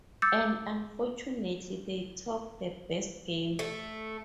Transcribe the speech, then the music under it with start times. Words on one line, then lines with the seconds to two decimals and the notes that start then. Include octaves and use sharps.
And unfortunately they talk the best game.
0.22 D6 E6 G6 A6 C#7
3.59 A3